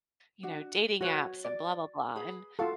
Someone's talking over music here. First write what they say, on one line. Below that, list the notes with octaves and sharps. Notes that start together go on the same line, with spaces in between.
you know, "dating apps, and blah blah blah," and,
D4 F#4
F#4 B4 C#5 F#5
D5
G#4 B4 B5
F4 F#4 A4 F5